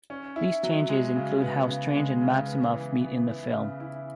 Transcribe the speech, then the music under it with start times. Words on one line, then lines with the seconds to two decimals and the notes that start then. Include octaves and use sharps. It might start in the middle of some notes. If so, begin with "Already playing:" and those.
These changes include how Strange and Maximoff meet in the film.
0.10 C#4
0.36 E4
0.63 F#3
0.89 G#3
1.16 C#3
1.42 B3
1.68 C#3
1.95 G#3
2.21 C#3
2.47 B3
2.74 E3
3.01 B3
3.27 E4
3.53 C#3
3.80 E4